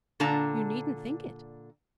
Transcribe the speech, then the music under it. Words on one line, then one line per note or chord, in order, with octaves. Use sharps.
You needn't think it.
A#2 D3 D4 A5 A#5